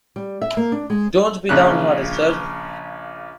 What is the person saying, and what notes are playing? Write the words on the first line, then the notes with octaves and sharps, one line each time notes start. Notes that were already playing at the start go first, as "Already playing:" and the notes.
Don't be down-hearted, sir.
G3
E5
A#3
D4
G#3
A#1 C#3 F#6